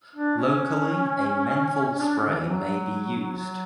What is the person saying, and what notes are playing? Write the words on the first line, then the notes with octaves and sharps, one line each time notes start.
Locally a menthol spray may be used.
D4
C#4
D4
C#4
D3
E3
E3
F#3
F#3